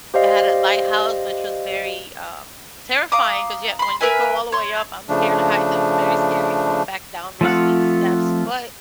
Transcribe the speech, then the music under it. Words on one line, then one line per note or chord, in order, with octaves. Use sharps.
That had a lighthouse, which was very, um, terrifying, 'cause yeah, when you go all the way up- I'm scared of heights- it was very scary going back down those steep steps, but
G4 C5 D5 D#5 F5
F5 A#5 D6 D#6
B5 C6
A#4 B4 E5 G#5
C#5 C6
C#3 F3 A3 D4
F3 A3 C4 F4 F#5